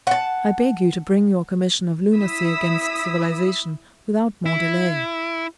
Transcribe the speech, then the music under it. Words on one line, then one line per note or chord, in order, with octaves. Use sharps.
I beg you to bring your commission of lunacy against civilization without more delay.
F#5 A5
E4 D#6 E6 B6
E4